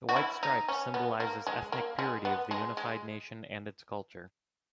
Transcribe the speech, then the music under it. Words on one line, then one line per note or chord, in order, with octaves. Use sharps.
The white stripes symbolizes ethnic purity of the unified nation and its culture.
F#4
E4
D#4
C#4
B3
A#3
G#3
A#3
G#3
B3
G#3
G#3